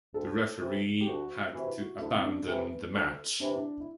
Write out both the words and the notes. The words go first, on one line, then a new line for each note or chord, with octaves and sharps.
The referee had to abandon the match.
D2 A4
C3 E3
G4
D2 F#4
C3 E3 F#4
E4
F#4
D2 E4
C4
D4
C3 E3 A4
B4
D2 A4
C3 E3 D4
E4
D4
E4